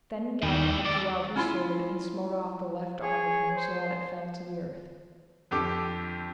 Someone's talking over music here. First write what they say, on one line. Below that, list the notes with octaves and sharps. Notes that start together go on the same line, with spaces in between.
Then Galahad drew out his sword and smote off the left arm of him, so that it fell to the earth.
D#2 A2 E3
C#2 D5
C#4 E4 F4
G#4 C#5
C5
F2 D3 G4 A4 D6